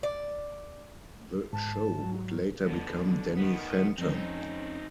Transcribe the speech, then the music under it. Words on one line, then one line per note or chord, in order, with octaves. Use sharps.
The show would later become "Danny Phantom".
D5
G#2 A5
F#3
B2 D3
D#3 B3
F2 C4 C#4 D#4